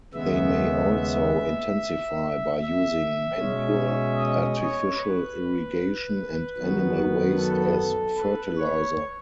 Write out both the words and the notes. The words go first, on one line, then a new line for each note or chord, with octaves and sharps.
They may also intensify by using manure, artificial irrigation and animal waste as fertilizer.
D#2 C#3 G#3 B3 E5
E5
E5
B2 G#3 C#4
D#5
C#5
B4
F#2 D#3 F#3 B3
A4
B4
C#5